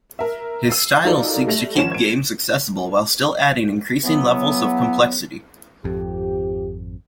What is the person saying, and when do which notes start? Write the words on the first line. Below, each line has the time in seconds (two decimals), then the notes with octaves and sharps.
His style seeks to keep games accessible while still adding increasing levels of complexity.
0.19 A#4 E5
0.68 E6 C7 D#7
1.04 F#3 D#4 F4 A4 A#4 D5
1.46 G3 A3 A#6 F7 F#7
1.75 G#1 F3 C#4 E7
1.92 G#6 D7
4.03 C#3 E3 F#3 B3
5.84 G#1 F2 F3 G4